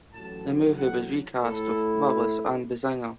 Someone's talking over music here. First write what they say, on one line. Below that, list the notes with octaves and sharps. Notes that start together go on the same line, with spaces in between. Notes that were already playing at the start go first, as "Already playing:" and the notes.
The movie was re-cast with Willis and Basinger.
A1 A2 F#3 A5
F#5
A2 A3 E4 A4